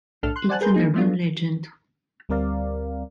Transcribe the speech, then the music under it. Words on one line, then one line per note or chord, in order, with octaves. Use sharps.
It’s an urban legend.
B1 A2 D4 A4 F6
C6 F#6
C5 D5 F#5 G#5 A5 F#6
G#4 A#4 B4 C6 G6
A#3 D#4 G#4
F3 G#3 A3 B3 D4 F4
D2 G3 C4 A#4 D5 F5